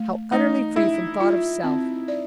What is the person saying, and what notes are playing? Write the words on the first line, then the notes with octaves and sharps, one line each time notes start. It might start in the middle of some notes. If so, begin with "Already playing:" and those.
How utterly free from thought of self!
Already playing: A3
A3 D#4
D4 E4
F4
C4
D5